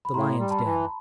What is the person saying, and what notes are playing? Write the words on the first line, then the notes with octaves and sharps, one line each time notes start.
The Lions' Den.
B5
A2 A#5 C6
G3
A5 B5
E3